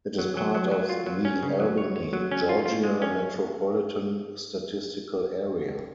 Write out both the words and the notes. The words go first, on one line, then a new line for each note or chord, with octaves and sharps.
It is part of the Albany, Georgia Metropolitan Statistical Area.
F#3
F#3
F#3
F#3
F4
F#3
C#4
C#3
F#3
C#5
C#5
F#3
C#4
F4
F4
G#3
C#4